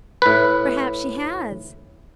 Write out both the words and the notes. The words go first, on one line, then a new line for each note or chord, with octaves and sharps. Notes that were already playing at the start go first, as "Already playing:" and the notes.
Perhaps she has.
A2 B4